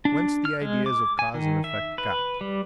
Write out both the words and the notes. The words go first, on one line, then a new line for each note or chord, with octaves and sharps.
Whence the Ideas of cause and effect got.
D4
F6
G#3
D6
G#5
D#3
E5
B4
G3